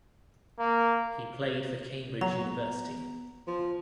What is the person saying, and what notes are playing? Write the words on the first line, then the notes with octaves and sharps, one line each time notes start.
He played for Cambridge University.
A#3
F#3 B3 A#5
F3